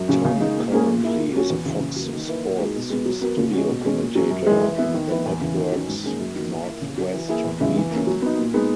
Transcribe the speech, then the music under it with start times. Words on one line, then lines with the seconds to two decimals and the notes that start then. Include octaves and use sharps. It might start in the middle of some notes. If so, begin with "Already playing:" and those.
Tom currently is a Fox Sports studio commentator in the network's Northwest region.
Already playing: F#2
0.08 C#3 F#3 A#3 C#4
0.25 C#3
0.40 G#3 D#4
0.56 A#2
0.72 A#3 C#4 G#4
0.86 A#2
1.03 A#3 E4 G#4
1.18 A#2
1.34 F#3 C#4 F#4
1.50 E2
1.65 C#3 E3
1.80 C#3
1.96 F#3 A#3
2.13 D#3
2.27 A#3 E4 B4
2.44 A#2
2.60 G#3 D#4 F#4
2.75 B2
2.90 G#3 B3
3.06 F#3
3.21 B3 F#4 A#4
3.37 C#3
3.53 G#3 C#4 F#4
3.69 B2
3.85 G#3 C#4
4.01 A#2
4.15 F#3 C#4
4.31 F#2
4.46 E3 G#3
4.62 E3
4.78 B3 E4 B4
4.94 D#3
5.10 A#3 E4 B4
5.26 E2
5.41 C#3 E3
5.56 D#3
5.72 F#3 C#4
5.87 G#2
6.03 D#3 A#3 C#4 G#4
6.19 F#2
6.35 D#3 F#3 A#3
6.51 A#2
6.66 A#3 E4
6.81 C#3
6.98 F#3 C#4
7.14 E3
7.28 A#3 E4 G#4
7.45 E2
7.60 C#3 G#3 B3 E4
7.76 E3
7.91 A#3 C#4
8.07 F#3
8.22 B3 D#4
8.38 A#2
8.54 G#3 B3 D#4